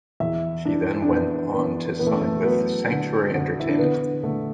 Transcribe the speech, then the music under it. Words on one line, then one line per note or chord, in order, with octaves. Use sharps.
She then went on to sign with Sanctuary Entertainment.
E2 E5
E3 D4
D4
E3 B3
E3 B3
E2 B3
A3
A3
F#3 B3
D3
D3
E4
D4
D3 B3
D3 A3